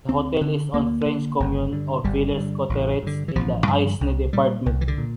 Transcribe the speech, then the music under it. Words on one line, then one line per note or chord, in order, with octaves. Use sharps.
The hotel is on the French commune of Villers-Cotterêts, in the Aisne department.
D2 C4
D3
D2 A#3
D3
G1
G2 D3
G1 G3
G2 D3
A1
G2 D3
E3
A1 F3
G3
G2 D3 F3
C2
A#2 G3
C2
E3
D3
A#2